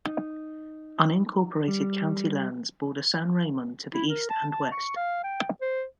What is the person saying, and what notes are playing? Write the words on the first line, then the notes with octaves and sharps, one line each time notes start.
Unincorporated county lands border San Ramon to the east and west.
D#4
G3
E4
A#4
A5
A5
C#6
F5
G5
C5